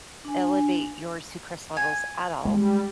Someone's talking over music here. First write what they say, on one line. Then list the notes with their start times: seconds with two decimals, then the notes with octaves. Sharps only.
elevate your sucrose levels at all.
0.25 D4 G#5
1.77 G#5
2.45 G3 G#3